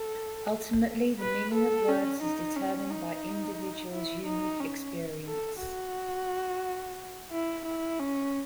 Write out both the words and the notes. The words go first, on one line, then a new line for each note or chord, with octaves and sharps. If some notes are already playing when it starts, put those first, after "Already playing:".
Ultimately, the meaning of the words is determined by an individuals unqiue expierence.
Already playing: A4
B4
A4
C#4
D#4
C#4
D#4
E4
D#4
C#4
A4
F#4
E4
E4
C#4